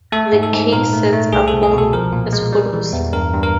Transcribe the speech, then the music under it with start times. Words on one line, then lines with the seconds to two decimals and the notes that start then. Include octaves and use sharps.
The K sets are formed as follows.
0.12 A3 A4
0.33 G#2
0.43 A4
0.53 G#2
0.73 A#2 A#4
0.93 A3
1.13 A3
1.33 C2 G#4
1.48 A4
1.53 C2
1.63 G#4
1.73 B2 A4
1.93 F3 A#4
2.13 A#2
2.33 G#3
2.53 G3
2.73 E3
2.93 E2
3.13 G2 A#4
3.33 G2
3.43 A#4